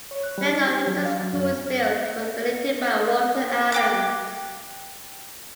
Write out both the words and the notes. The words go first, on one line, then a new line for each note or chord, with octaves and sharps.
The land on which the school is built was donated by Walter Adams.
C#5
F#6
G3
D#4
G4
F#3
F5
F#3
F#2
G5 D6 F#6